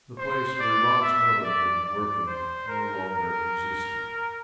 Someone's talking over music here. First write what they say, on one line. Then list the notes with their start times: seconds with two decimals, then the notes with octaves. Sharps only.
The place where Ivan's mother had been working no longer existed.
0.18 C5
0.59 D5
1.01 E5
1.43 D5
1.84 D5
2.26 C5
2.68 A#4
3.09 A#4